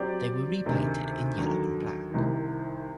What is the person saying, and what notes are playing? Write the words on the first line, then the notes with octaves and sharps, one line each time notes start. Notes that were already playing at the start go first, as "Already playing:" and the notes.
They were repainted in yellow and black.
Already playing: F#3 C4 G4 D5
D2 C3 D#3
D#2 D3 F#3
C2 C3 D#3